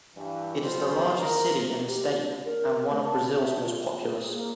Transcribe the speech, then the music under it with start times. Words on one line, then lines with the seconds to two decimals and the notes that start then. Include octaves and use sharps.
It is the largest city in the state and one of Brazil's most populous.
0.15 G2 E3
0.61 B1 F2 F4 C5
1.18 A#4
1.86 G4
2.18 D4
2.45 A#4
2.90 A3
3.03 A5
3.38 E5
3.62 F4
4.03 G#4
4.34 A#3